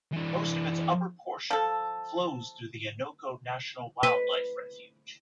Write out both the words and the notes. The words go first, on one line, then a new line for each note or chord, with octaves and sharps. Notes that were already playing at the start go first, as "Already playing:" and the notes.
Most of its upper portion flows through the Innoko National Wildlife Refuge.
E3 D4
F3 A4
B4